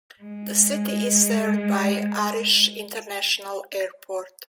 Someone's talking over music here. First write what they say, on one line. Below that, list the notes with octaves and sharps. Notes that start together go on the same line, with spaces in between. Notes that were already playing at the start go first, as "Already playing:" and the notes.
The city is served by Arish International Airport.
G#3